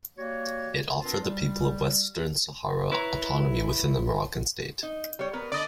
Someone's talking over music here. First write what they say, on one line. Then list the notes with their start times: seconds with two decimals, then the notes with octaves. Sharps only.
It offered the people of Western Sahara autonomy within the Moroccan state.
0.18 G3 A#3 F#4 C#5
1.02 B3 C4 D4 F4 A#4
1.23 G3
2.92 E4 B4 C#5 A#5
4.83 D#4
5.19 G3 C#5
5.33 B3 A#4 B4
5.52 D3 D5 D#5